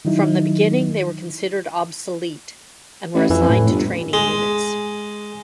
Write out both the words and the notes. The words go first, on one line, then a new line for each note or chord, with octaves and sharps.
From the beginning they were considered obsolete, and were assigned to training units.
D#3 F#3 D#4 E4
A1
F2 E3
A2
G1
G#3